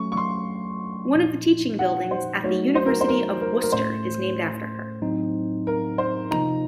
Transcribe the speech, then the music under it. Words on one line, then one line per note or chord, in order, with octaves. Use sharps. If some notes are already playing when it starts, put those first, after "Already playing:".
One of the teaching buildings at the University of Worcester is named after her.
Already playing: F#3 A3 C#4 C#6
C#6
C6
A#2 F3 A#3 D#4
F#5
C5
F#3 A3 D#4 F#4 C#5
C5
A#4
C5
A#4
A#4
A#4
A2 A3 C#4 C5
A2 F#3 C4 D#4
A#4
C5
C3 F3 A#3 D#4 A#5